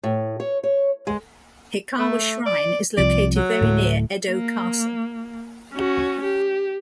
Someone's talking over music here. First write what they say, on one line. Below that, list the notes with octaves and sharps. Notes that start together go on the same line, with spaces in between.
Hikawa Shrine is located very near Edo Castle.
A2
C#5
C#5
G#3
A3
D5
C2 F3 C4 D5
F#3
D1 A2 A3
A#3
C#4 F#4
G4